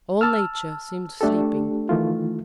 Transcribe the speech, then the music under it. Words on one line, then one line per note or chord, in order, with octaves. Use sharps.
All nature seemed sleeping.
A5 E6 F6
A3 D4 G4 A4
D#3 E3 A3 F4